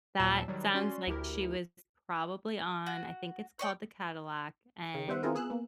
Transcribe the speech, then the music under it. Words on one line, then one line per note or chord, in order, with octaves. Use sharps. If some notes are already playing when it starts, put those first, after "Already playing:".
That sounds like she was probably on- I think it's called the Cadillac, and
D#2 A#2 F#3 A5 E6 E7
D#3 F#3 G3
C#4 F#4 D5 C6
D2 E4 G4 A#4
F#4
C#5 D5 G5
C#3
G3 B3 C5 E5 F#5
C4 E4 F4 G#4 A#4 B4
B3 G#4 E6 F#6
A#3 B3